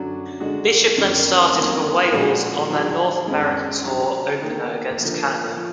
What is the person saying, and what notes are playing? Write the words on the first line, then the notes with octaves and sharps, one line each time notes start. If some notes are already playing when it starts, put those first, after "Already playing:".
Bishop then started for Wales on their North America tour opener against Canada.
Already playing: F#2 D3 F#3 D4 F#4
D3 G#3 D4 F#4
F#2 D#3 A#3
F2 D#3 F#3 A#3
A#2 F3 G#3 D4 F#4
D#3 F#3 D4 G#4
F#2 D#3 G#3
F#3 D4 G#4
D#3 A#3 D4
D3 F3 A#3
F3